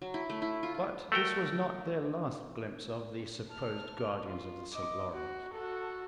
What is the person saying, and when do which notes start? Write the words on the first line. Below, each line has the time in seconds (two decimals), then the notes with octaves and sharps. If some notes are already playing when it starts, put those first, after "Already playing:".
But this was not their last glimpse of the supposed guardians of the St. Lawrence.
0.02 F#3
0.14 E4
0.30 A3
0.42 E4
0.63 F4
0.74 F4
1.12 A3 F#4 A#4 G5
3.48 A5 F6
4.26 F4
4.73 D#5 D6
5.14 F#4
5.53 F#4 A4